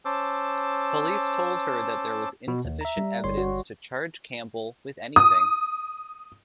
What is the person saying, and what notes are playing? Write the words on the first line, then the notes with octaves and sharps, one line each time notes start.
Police told her that there was insufficient evidence to charge Campbell with anything.
C#4 C5 A5 D6 E6
B2
D#2
E5 A#5
G3
G1 C#5 C6
F#4
D#6